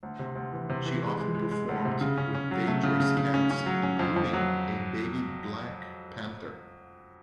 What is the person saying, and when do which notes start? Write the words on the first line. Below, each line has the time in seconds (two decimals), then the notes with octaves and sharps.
She often performed with dangerous cats, including a baby black panther.
0.03 D2
0.19 C3
0.35 D2
0.53 E3
0.69 C3
0.86 E3
1.02 G#3
1.19 G#3
1.35 G#3
1.51 G#3
1.69 D2
1.85 C3
2.01 C#3
2.18 C#4
2.35 C#4
2.51 F#3
2.68 A3
2.83 C#3
3.00 C#3
3.17 C#3
3.34 C#4
3.50 C#4
3.66 F#3
3.83 C#4
3.99 F2
4.16 F2
4.33 F#3